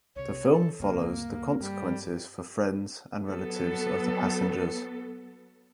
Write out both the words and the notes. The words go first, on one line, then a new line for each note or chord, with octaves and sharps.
The film follows the consequences for friends and relatives of the passengers.
C2 C3 C#5
E3 A4
D2 G2 C#3 A#3
G2 G3
F#3 B3 A4